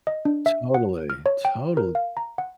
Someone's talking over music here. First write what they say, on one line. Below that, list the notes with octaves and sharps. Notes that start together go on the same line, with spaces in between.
Totally, total
D#5
D4
E5
F#5
F6
C#5
G5
A#4
F5
A#5
F#5